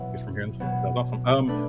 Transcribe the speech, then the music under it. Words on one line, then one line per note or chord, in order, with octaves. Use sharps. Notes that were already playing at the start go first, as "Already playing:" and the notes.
He's from here in the states. That's awesome. Um,
Already playing: B2 F#3 B3 E4
B2 F#3 B3
A3 D4 B4